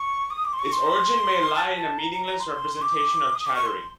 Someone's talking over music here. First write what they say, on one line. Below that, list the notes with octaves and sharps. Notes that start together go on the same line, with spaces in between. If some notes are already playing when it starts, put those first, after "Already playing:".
Its origin may lie in a meaningless representation of chattering.
Already playing: C#6
D#6
D6
C6
C#6
C6
A5
A5
A#5
A#5
A#5
C6
D6
D#6
D6
C#6
C6